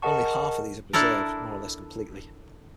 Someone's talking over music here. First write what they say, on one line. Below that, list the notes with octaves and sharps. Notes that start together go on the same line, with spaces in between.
Only half of these are preserved more or less completely.
G#4 A#4 D#5 F#5 A5 C#6
D4 E4 A4 A#4